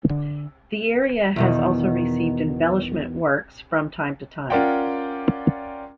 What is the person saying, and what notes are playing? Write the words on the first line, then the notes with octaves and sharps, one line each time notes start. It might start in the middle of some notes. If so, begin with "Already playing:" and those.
The area has also received embellishment works from time to time.
D3
E2 B2 D#3
C#4 F4 A#4 D5 F#5 G5